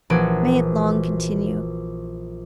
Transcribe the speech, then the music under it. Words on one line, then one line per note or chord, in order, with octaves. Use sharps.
May it long continue!
A#1 E3 F#4 G#6 D7